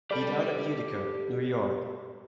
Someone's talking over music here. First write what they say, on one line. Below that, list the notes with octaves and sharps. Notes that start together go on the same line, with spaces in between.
He died at Utica, New York.
G4 A4 D5 B5